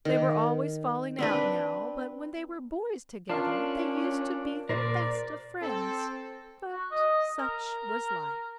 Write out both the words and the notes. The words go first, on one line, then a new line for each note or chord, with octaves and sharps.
They were always falling out now but when they were boys together they used to be the best of friends: but such was life.
D#3
C4 D4 B4
C#4 D4 F4 A#4 F5
A#2 A#4 C5 D5
C4 A4
F#4
D#5
A#4